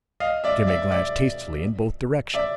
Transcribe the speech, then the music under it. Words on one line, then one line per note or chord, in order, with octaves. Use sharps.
Jimmy glanced hastily in both directions.
D#5 F5
D5 E5
D5 E5
D5 E5
D5 E5